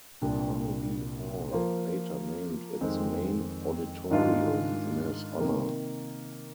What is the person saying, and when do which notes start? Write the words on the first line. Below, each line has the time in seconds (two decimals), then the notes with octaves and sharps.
Carnegie Hall later named its main auditorium in his honor.
0.21 C2 A#2 G3 D4
1.51 F3 A#3 F4 C5
2.81 F2 D#3 G#3 C4
4.10 G#2 D#3 G#3 D4 F4
5.39 C3 D#3 A#3